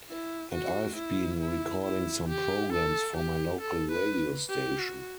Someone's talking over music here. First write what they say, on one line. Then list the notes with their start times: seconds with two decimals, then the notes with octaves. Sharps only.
And I have been recording some programmes for my local radio station.
0.09 E4
0.53 F#4
0.97 E4
1.41 E4
1.84 E4
2.29 G4
2.73 A4
3.17 G4
3.61 A4
3.92 B4
4.50 G4
4.79 F#4